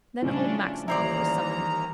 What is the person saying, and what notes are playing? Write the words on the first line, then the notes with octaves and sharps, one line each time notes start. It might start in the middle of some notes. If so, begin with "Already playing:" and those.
Then old Maximov was summoned.
A2 C#3 F3 G3 C#4 D4
D#2 E3 G3 E4 C5 D5 A#5